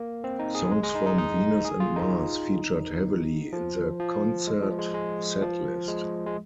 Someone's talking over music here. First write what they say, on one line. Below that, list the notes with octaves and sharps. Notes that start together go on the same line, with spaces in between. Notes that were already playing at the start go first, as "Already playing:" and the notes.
Songs from "Venus and Mars" featured heavily in the concert setlist.
Already playing: A#3
C4
D#4
G#4
G#3
G#3
D#4
D#4
D#4
G#4
F4
D#4
F3
F3
G#3
F3
G#3
G#3
F3
G#3
G#3